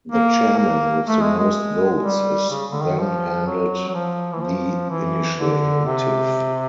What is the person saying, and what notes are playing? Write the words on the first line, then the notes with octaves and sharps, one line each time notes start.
The chairman with the most votes is then handed the initiative.
A#3
A#3
A3
G#3
G#3
G3
C#3
D3
D#3
F3
F#3
F#3
F3
E3
F3
E3
D3
C3